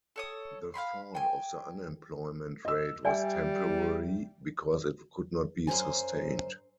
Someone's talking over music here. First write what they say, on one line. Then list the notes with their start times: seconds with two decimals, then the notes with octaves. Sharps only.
The fall of the unemployment rate was temporary because it could not be sustained.
0.16 A4 C#5 D#6
0.74 F5 G5 B5 C6
1.15 G5 G#5
2.65 D#5 E6
3.05 G3 D5 E5 G5 G#5
5.67 F#2 E3 C5 G#5